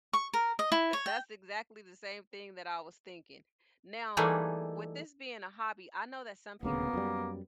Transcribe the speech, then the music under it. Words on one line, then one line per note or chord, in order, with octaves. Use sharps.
that's exactly the same thing that I was thinking. Now, with this being a hobby, I know that some people,
C#6
A#4
D#5
E4
C#5
G5
E3 G3 A3 A#3 D#4 G#4
D#1 D2 C#3 A#3 B3
F#2 G3